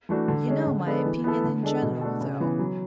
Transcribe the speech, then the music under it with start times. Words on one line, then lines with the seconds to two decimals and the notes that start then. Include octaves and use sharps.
You know my opinions in general, though.
0.09 E3 A3 D4 F#4
0.28 D3
0.48 G#3 C#4
0.67 D3
0.86 G#3 B3 D4 A4
1.05 E3
1.24 B3 E4 A4
1.44 D3
1.63 G#3 D4 A4
1.82 B2
2.01 A3 D4 F#4 A4
2.21 C#3
2.40 E3 B3
2.59 F#3